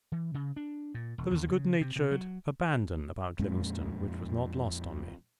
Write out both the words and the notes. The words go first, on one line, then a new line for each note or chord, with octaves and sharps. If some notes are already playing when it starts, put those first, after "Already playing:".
There is a good-natured abandon about Livingstone which was not lost on me.
E3
C#3
D4
A#2
E1
D#2
C#3
C3
C3
F#3
F2 A#2 G#3 C#4